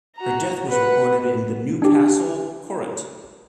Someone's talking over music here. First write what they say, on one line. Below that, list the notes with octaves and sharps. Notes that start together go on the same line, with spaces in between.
Her death was reported in the "Newcastle Courant".
F#4 A#5
B4 F#5
D4 G4